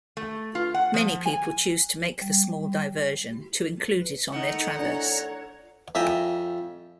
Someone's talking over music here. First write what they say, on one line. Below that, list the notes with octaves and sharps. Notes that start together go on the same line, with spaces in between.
Many people choose to make the small diversion to include it on their traverse.
A3
F4
F#5
F3
G#5
G3
D#3 A3 D#4 F#5 A#5
D4 E4 C#5 D5
F2 E5 G5 G#5 A#5